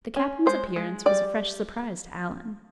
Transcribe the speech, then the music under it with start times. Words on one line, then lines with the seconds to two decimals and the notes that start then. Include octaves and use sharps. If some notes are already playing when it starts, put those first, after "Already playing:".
The Captain's appearance was a fresh surprise to Alan.
0.16 C#4
0.46 G#3 C5
0.76 G#3
1.06 G3 D5